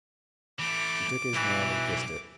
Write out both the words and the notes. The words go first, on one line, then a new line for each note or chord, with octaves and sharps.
She took his hand and kissed it.
E3 A3 D6
B1 B2 E3